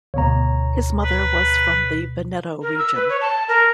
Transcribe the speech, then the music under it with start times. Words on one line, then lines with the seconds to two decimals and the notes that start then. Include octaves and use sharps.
His mother was from the Veneto region.
0.14 D2 B2 C#5 A#5
1.04 B4
2.62 A#4
2.78 E6
2.95 B4
3.09 C#5
3.21 A5
3.48 A#4